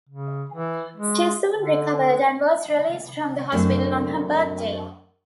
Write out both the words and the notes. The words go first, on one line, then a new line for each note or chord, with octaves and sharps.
She soon recovered and was released from the hospital on her birthday.
C#3
E3
G#3
D3
F#2 A3 C4 D4